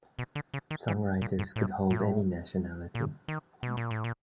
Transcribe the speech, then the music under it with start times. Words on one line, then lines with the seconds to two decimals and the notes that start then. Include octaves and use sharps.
Songwriters could hold any nationality.
0.19 B2
0.35 D3
0.54 C#3
0.71 D#3
0.88 E3
1.22 A#2
1.39 G#2
1.56 A2
1.90 A2
2.95 A#2
3.28 D#3
3.63 B2
3.77 A#2
3.91 A2
4.04 A#2